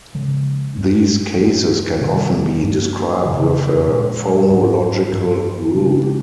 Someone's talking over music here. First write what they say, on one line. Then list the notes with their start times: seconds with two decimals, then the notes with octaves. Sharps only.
These cases can often be described with a phonological rule.
0.15 C#3 F3 G#3
0.77 G2 G3 C4
1.39 G2 F3 A#3
2.01 C3 D#3 G3
2.64 G2 F3 A#3
3.25 F2 C#3 F3
3.88 A#2 F3 G#3
4.50 G#2 F3 G#3 C#4
5.12 G2 F3 C4
5.75 C#3 F3 G#3 C#4